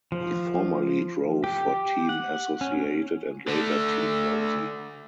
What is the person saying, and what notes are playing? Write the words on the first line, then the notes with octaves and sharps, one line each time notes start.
He formerly drove for Team Associated and later Team Losi.
F3
G4
F#5
C#4
D3 A3